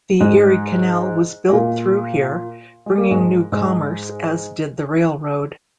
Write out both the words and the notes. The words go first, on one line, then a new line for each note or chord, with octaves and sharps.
The Erie Canal was built through here, bringing new commerce, as did the railroad.
G#2 G#3
G#3
A#2 A#3
G#3
A#3
G#2 G#3
G#2 G#3